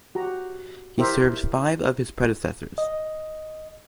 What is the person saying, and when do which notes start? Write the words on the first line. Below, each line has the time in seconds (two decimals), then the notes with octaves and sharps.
He served five of his predecessors.
0.15 F#4 G4 A#5
0.98 E4 G4 A#4 C5 E5
2.78 D#5